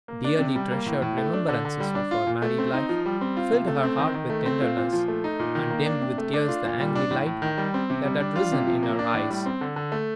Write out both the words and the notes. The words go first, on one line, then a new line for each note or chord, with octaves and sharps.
Dearly treasured remembrances of her married life filled her heart with tenderness, and dimmed with tears the angry light that had risen in her eyes.
A#3
D4
C3
G3
A#3
A2
A2
A3
D4
D3
D3
G3
D4
F4
A#2
A3
C4
D#4
F3
G3
C4
F4
C3
A3
C4
D#3
D#3
A3
C4
F4
A#2
F3
A3
D#4
A#2
D#3
A#3
D4
C3
A3
D4
F4
A#2
G3
D4
A2
A2
D#3
G3
C4
C3
G3
D4
F4
C3
F3
A#3
D4
A2
G3
C4
D3
D3
A3